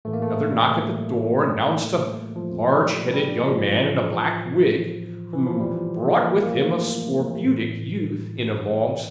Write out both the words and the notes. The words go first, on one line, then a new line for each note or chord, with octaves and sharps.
Another knock at the door announced a large-headed young man in a black wig, who brought with him a scorbutic youth in a long stock.
A2 E3 A3
A#3
A3
G3
F3
G3
G3
F3
A2 E3
E3
F3
G3
A#3
A#3
A3
A2 E3